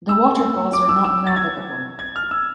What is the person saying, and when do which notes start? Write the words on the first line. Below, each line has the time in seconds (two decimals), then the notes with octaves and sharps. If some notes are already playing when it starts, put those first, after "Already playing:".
The waterfalls are not navigable.
0.09 E6
0.73 D6
0.89 E6
1.04 E6
1.27 A6
1.36 G#6
1.99 G#6
2.16 F6
2.31 E6